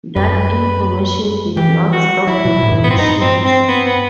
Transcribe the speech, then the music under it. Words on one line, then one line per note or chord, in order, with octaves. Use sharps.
That information did not stop the donations.
F#2 B4
E3 G4
F#4
F#3 E4
B2
A2
G2
A2 B3
C4
G2 D#4
C4
C4
B3
B3